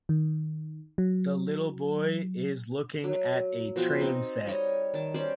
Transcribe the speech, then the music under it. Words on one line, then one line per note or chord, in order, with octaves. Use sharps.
The little boy is looking at a train set.
D#3
F#3
F#3
B2 F3 B3 G5
C4 D#4
G3 C#5 D#5
D#3 A5
G3 C#4 C5 D5